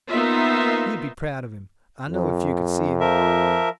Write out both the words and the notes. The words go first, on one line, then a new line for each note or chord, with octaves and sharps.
You'd be proud of him, I know, if you could see him.
A#3 B3 D#4 F4 E5
F2
F3 A#4 E5